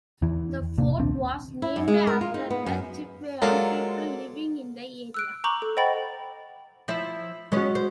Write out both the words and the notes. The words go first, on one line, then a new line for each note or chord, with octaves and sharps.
The fort was named after the Chipewyan people living in the area.
E2 E3
A1 C3 A#3
A#1 D#2 C4 D4
E4
F#2
G#3
A#4
F4
D#4
B3
F#2
F#3 G#3 A#3 F4 A4 A#4 D5
E6 F#6 D7
A#5 C#6 D6 G6 F#7
A4
C5 D#5 F#5 G5 B5 A6
F3 E4 E5
G#3 B3 C#4 F#4
C5